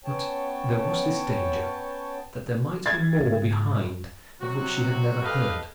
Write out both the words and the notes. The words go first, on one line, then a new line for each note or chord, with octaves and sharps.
But there was this danger,--that there might be more behind of which she had never heard.
B3 C#4 C#5 G5 A5
G#6 A6
G#2 C#3
C3 F#3 F#4
G4 A4 B4 D#5 F5